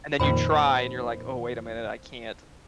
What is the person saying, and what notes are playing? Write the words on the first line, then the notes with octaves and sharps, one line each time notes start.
and then you try, and you're like, "Oh, wait a minute. I can't."
F2 A#2 D#3 C5 B5